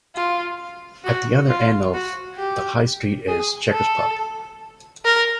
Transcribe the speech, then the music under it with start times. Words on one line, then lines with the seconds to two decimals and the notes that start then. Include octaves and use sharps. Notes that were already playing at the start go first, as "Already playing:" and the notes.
At the other end of the High Street is the Chequers pub.
0.15 F4
1.04 F#4
1.49 F4
1.94 F#4
2.38 G4
3.28 G#4
3.72 A4
5.05 A#4